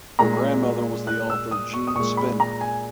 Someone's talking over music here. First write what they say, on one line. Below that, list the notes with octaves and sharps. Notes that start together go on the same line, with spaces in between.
Her grandmother was the author Jean Spender.
A#2 G#3 A#5
F#6
E6
D#6
C#6
D#6
A#2 G#3 C#6
B5
A#5
G#5